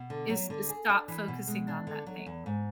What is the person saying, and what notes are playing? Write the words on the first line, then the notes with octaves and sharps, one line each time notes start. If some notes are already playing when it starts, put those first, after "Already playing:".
is to stop focusing on that thing.
Already playing: B2
D3
F#3
D3
G#4
D4
E3
B2
G#3
D4
D3
F#3
E2
G#2